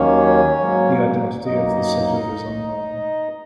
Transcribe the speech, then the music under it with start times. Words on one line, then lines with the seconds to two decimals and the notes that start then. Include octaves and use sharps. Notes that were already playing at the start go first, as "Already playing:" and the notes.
The identity of the sitter is unknown.
Already playing: D#2 D#3 F#3 A#3 C#4 C#5
0.59 G#2 F#3 A#3
1.45 F#2 F#3 A#3 D#4 D#5